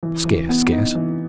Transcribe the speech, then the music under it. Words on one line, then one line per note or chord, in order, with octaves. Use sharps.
Scarce, scarce!'
E3
E3
B3
D#4
E3